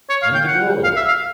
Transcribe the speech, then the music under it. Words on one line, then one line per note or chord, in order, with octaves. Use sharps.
"And the gold?"
C#5
F5
G5
F#5
F5
E5
F5